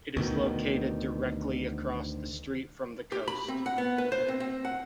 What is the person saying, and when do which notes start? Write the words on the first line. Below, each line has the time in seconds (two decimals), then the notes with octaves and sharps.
It is located directly across the street from the coast.
0.17 D2 B2 D#3
3.12 G4
3.28 B5
3.48 C4
3.66 F#5
3.78 B3
3.98 B4
4.12 C5
4.28 C4
4.40 C4
4.65 F#5